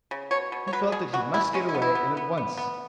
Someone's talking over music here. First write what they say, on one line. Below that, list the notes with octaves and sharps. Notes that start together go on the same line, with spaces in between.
He felt that he must get away, and at once.
C#3
B2 C#5
B2
C#5
F#3 B4
B2 G#4
E3 F#4
E3 E4
G#3 C#4
E4
B3
E4
B3
B3
B3
B3